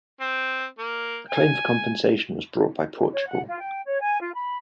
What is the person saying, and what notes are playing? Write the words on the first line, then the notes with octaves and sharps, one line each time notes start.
A claim for compensation was brought by Portugal.
C4
A#3
G#5
C#5
F#5
F4
G5
C#5
G#5
F4
B5